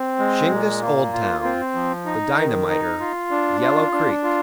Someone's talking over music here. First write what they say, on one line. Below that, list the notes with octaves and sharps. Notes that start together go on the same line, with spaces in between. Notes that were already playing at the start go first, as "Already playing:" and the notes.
Shingis Old Town--The dynamiter--Yellow Creek.
Already playing: C4
G#3
A#2
A#3
F4
C4
F3
D#4
D#3
D#4
F4
D4
F4
D4
F4